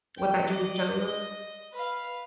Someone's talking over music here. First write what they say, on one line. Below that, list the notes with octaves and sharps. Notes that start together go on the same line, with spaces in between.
what that June's Deli was?
G5
D5 D#5
D#5
B4 F5